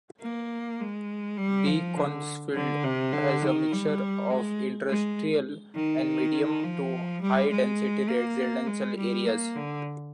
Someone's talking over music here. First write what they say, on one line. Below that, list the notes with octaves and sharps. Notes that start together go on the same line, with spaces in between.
Beaconsfield has a mixture of industrial and medium to high density residential areas.
A#3
G#3
G3
F3
D3
D3
C3
D3
D#3
G3
G#3
G#3
D#3
F3
G3
G#3
A#3
G#3
G3
A#3
D3